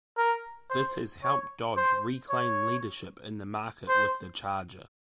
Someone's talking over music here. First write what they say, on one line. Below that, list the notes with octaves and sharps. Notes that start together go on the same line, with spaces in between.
This has helped Dodge reclaim leadership in the market with the Charger.
A#4
C5
C#5
C5
C#5
C5